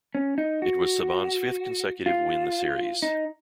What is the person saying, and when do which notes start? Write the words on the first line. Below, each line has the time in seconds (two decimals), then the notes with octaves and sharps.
It was Saban's fifth consecutive win the series.
0.15 C#4
0.38 D#4
0.62 F#4
2.06 F4
3.02 D#4